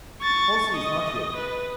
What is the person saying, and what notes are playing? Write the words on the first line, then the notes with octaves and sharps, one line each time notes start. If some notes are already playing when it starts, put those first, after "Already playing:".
Halsey is not here.
C#6 A6
D#5
B4